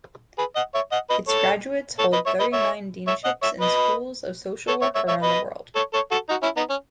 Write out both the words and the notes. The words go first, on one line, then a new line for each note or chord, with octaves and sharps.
Its graduates hold thirty-nine deanships in schools of social work around the world.
G#4 B4
D#5 F#5
C#5 E5
D#5 F#5
B4 D#5
A4 C#5
A4 C#5
B4 D#5
C#5 E5
B4 D#5
C#5 E5
C#5 E5
D#5 F#5
C#5 E5
B4 D#5
A4 C#5
C#5 E5
C#5 E5
C#5 E5
B4 D#5
A4 C#5
A4 C#5
F#4 A4
D#4 F#4
C#4 E4
B3 D#4
C#4